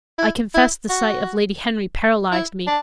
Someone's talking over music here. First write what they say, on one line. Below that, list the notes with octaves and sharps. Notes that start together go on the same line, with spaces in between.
I confess the sight of Lady Henry paralyzed me.
E4
E4
F#4
E4
D4